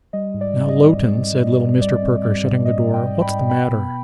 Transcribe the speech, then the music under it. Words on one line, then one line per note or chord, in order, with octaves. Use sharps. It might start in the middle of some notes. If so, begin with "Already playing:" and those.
'Now, Lowten,' said little Mr. Perker, shutting the door,'what's the matter?
G3 D#5
G#2
D5
G#2
D#5
C4
G#2
G#2
G#2
G#2
G3 D5
C4
G3 D5
G#2
G#2 D#5
G#2
D#5 G5
G#2
G5 B5
G#2
B2 G5 B5
B3